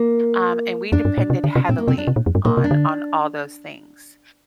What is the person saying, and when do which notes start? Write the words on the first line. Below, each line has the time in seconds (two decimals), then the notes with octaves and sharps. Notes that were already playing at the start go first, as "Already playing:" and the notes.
Um, and we depended heavily on on all those things.
Already playing: A#3
0.92 F2 D4
1.05 G2
1.18 A#2
1.30 C3
1.44 D3
1.56 C3
1.69 A#2 C4
1.78 A#3
1.88 C3 C4
1.98 D4
2.07 C3
2.16 A#2
2.26 F2
2.35 G2
2.45 A#2 A#3
2.57 C3
2.64 D4
2.71 D3